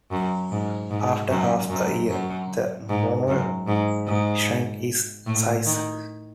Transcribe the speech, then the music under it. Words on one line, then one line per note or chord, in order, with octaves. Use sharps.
After half a year, the mall shrank its size.
F#2
G#2
G#2
F#2
F#2
F#2
G#2
F#2
G#2
G#2
A2
D#3